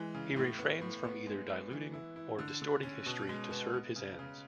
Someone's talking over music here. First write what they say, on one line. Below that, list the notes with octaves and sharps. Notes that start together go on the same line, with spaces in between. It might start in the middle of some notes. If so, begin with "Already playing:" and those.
He refrains from either diluting or distorting history to serve his ends.
Already playing: E3 G#3
C#3
A2
B3
A2
B3
G#3
B3
E3
E4
E4
D3
D3
C#4
B2
G#3
B3
B3
C#3
C#3